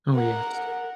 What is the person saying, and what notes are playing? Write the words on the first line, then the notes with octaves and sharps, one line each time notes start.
Oh, yes.
A#4 F#5